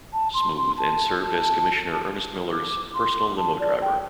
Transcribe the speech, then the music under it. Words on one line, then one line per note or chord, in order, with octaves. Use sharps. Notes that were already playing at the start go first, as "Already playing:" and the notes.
Smooth and served as Commissioner Ernest Miller's personal limo driver.
A5
C6
C6
A5
D6
C6
A5
D5
G5